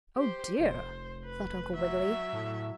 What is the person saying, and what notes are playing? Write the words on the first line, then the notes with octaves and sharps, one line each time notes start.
"Oh, dear!" thought Uncle Wiggily.
G4 C5
F1 C5
B4
F#3 E5
A2